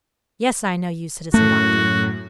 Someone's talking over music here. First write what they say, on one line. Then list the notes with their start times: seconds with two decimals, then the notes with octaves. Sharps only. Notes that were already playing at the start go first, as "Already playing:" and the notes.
"Yes, I know you, Citizen Doctor."
1.34 F#2 A2 A3 F#4